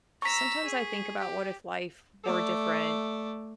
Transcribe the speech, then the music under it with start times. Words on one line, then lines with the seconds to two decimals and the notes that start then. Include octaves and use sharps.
Sometimes I think about what if life were different,
0.22 A#5 C#6 E6 B6
0.64 G#4
1.19 G4
2.24 A3 D5